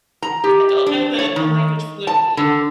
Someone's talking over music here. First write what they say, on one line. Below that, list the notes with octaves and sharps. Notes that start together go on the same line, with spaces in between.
I don't know the the language fluently.
A#5
G4
D4
C#5
D#3
A5
D3